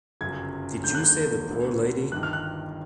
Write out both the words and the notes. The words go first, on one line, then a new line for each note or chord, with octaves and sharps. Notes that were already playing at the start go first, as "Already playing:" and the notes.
Did you save the poor lady?
G1 F#2 C#3 G#6
E1 D#2 D3 G6
F#6
G6
D2 D3
G1 G2 D#3 F#6
F6
F#6